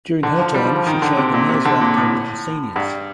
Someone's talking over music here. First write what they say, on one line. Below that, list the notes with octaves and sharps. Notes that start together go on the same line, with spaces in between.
During her term, she chaired the Mayor's Roundtable on Seniors.
D3
F3
G3
F3
F3
D#3
D3
C3
A#2
C3
D3
A#2
A2
G2